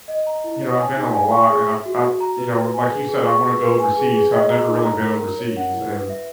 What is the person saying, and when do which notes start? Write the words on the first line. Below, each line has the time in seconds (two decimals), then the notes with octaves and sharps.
you know, I've been on a lot, and I've I've you know, like you said, I wanna go overseas. I've never really been overseas, and
0.08 D#5
0.27 A#5
0.44 E4
0.61 C#5
0.79 G#5
0.96 D#4
1.14 G#5
1.32 C#6
1.49 G#4
1.68 E5
1.86 F#4
2.03 F#4
2.20 A#5
2.38 B4
2.56 B4
2.74 G#5
2.91 G#4
3.09 G#4
3.26 C#6
3.44 B4
3.62 B4
3.80 G#5
3.97 G#4
4.15 G#4
4.33 D#5
4.50 A#5
4.68 D#4
4.85 A#5
5.03 A#4
5.21 A#4
5.39 C#5
5.57 F#5
5.73 E4
5.92 B4
6.10 E5